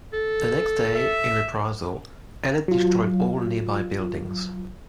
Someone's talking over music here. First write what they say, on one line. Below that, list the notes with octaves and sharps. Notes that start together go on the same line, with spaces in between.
The next day, in reprisal, Ellet destroyed all nearby buildings.
A4
E5
F#3 F4